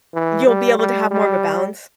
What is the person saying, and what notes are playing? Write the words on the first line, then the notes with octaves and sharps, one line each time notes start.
you'll be able to have more of a balance.
E3
G3
G3
G3